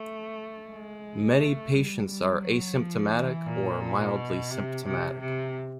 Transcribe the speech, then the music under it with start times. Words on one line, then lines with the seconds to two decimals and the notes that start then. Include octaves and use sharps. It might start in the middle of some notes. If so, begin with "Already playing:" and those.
Many patients are asymptomatic or mildly symptomatic.
Already playing: A3
0.69 G#3
1.39 A3
1.73 G3
2.08 G3
2.43 F#3
2.78 F3
3.12 E3
3.46 A#2
4.15 B2
4.51 C3
4.85 C3
5.19 C3